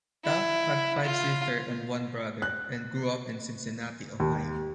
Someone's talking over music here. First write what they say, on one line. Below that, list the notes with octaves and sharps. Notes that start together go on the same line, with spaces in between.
Taft had five sisters and one brother and grew up in Cincinnati, Ohio.
E4
F4
F#6
D#2